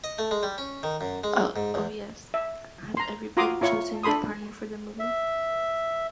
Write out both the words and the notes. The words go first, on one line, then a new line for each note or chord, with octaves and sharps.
Uh, Oh, yes, have everybody chosen a partner for the move?
D#5
A3
G#3
G3
C#4
D#3
F#2
G#3
G#2
E2
E5
A#5 C6
F4 F#4 A#5 C6 D6 D#6
E4 F4 C#5 C#6
D4 A4 B5 C6 D#6
E5